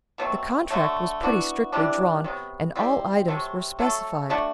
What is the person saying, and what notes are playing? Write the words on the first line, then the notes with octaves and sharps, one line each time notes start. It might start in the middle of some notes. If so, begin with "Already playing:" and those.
The contract was pretty strictly drawn and all items were specified.
B2 F#3 A3 C4
D3 F#3 A3
E3 B3 D4 F#4
C3 E3 G3 D4
C3 F#3 B3
E3 G3 C4
C3 F#3 A3 C4
F#3 A3 E4 A4
A3 D4 F#4